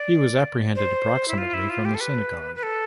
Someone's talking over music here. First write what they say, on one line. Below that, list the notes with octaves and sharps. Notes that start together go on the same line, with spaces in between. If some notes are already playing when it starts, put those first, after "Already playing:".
He was apprehended approximately from the synagogue.
Already playing: D5
C5
E4
F4
E4
F4
G4
A4
B4
B4
A4